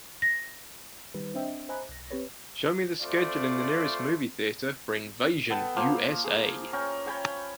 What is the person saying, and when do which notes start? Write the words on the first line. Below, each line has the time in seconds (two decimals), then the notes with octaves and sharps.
Show me the schedule in the nearest movie theatre for Invasion U.S.A..
0.22 A#6
1.14 D#3 G3 B4
1.34 C4 D4 C5 D#5 E5 G5
1.69 C5 D#5 G#5 A#5 B5 F#6
1.89 B1 A#6
2.10 C4 G4 B4 C#5
3.01 A3 C4 F4 C5 D5
5.50 B3 A4 G5 A5
5.76 F3 A#3 C5 F5
6.24 G#4
6.73 C#4 A#4 G5 G#5
7.06 C#5 G5 G#5 B5